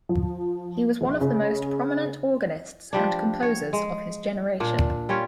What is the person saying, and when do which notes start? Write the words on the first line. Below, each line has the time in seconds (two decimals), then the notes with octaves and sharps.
He was one of the most prominent organists and composers of his generation.
0.09 F3
1.01 A#1
1.21 C#3
2.93 F3 G3 D4
3.42 C#5
3.73 G#3
4.60 A#2 D4
5.09 G3 C#4 F4 C#5